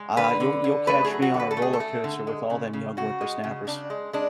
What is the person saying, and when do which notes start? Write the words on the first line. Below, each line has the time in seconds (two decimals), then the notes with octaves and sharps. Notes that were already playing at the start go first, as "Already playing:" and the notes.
Ah, you'll you'll catch me on a roller coaster with all them young whippersnappers,
Already playing: G#3
0.17 D3 B4
0.40 D3
0.64 D3
0.87 A3 B4
1.04 G#4
1.11 F#3
1.22 F#4
1.34 D3
1.39 B4
1.51 A4
1.57 A3
1.62 G#4
1.73 A4
1.80 A3
2.04 D3
2.27 G#3
2.50 C#3
2.73 C#3
2.97 C#3 F#4
3.21 G#3
3.44 C#3
3.67 C#3 D4
3.90 G#3
4.13 G#3 D4